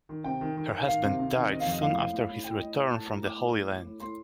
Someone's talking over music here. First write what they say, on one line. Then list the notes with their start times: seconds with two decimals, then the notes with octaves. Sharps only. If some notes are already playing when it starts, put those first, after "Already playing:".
Her husband died soon after his return from the Holy Land.
0.09 D#3
0.24 C3 G5
0.41 D#3
0.57 D#3
0.72 D#3
0.87 D#3 F5
1.03 C3
1.19 C3
1.34 D#3
1.50 C3 D#5
1.60 F5
1.65 F2
1.71 D#5
1.82 A2 F5
1.98 A2
2.13 A2
2.28 A2
2.43 A2 G5
2.60 A2 D#5
2.75 A2
2.90 A2 A5
3.07 A2 A#5
3.22 A2 D6
3.38 A2
3.54 A2
3.70 A2
3.85 A2
4.00 A2 C6